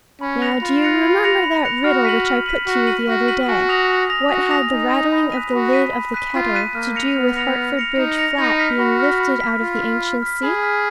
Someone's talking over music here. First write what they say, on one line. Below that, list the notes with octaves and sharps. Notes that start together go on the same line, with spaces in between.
Now do you remember that riddle which I put to you the other day?--"What had the rattling of the lid of the kettle to do with Hartford Bridge Flat being lifted out of the ancient sea?"
C#4 B5
F#6 A#6 C#7 F7
F4 B5
F#6 A#6 C#7 F7
B5
F#6 A#6 C#7 F7
B5
F#6 A#6 C#7 F7
F#4 F6
B6 D#7 F#7
F6
B6 D#7 F#7
F#4 F6
B6 D#7 F#7
F#4 F6
B6 D#7 F#7
F#4 G#5
D#6 A#6 F7
G#5
D#6 A#6 F7
F#4 G#5
D#6 A#6 F7
D#4 G#5
D#6 A#6 F7
B5
F#6 B6 D#7
F#4 B5
F#6 B6 D#7
B5
F#6 B6 D#7
F4 B5
F#6 B6 D#7
A#3 F6
A#6 C#7 F7
B3 F6
A#6 C#7 F7
F6
A#6 C#7 F7
D#4 F6
A#6 C#7 F7
D#4 B5
F6 B6
F#4 B5
F6 B6
B5
F6 B6
F4 B5
F6 B6
B5
F6 B6
G#4 B5
F6 B6